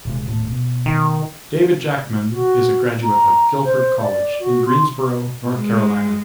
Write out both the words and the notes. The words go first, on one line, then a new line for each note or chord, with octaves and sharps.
David Jackman is a graduate of Guilford College in Greensboro, North Carolina.
D#1 C3 G#3
D#1 A2 A3
B2
D#3
F#4
A#5
C5
D5
F#4
C6
G#3